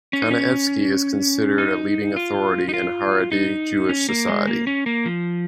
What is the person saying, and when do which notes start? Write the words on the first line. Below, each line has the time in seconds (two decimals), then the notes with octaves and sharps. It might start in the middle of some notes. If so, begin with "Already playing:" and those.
Kanievsky is considered a leading authority in Haredi Jewish society.
0.13 C#4
0.22 D#4
0.31 C#4
1.58 D#4
2.16 F4
2.69 D#4
2.74 F4
3.32 D#4
3.89 C#4
4.09 A#3
4.28 G#3
4.47 A#3
4.67 C#4
4.86 A#3
5.06 F3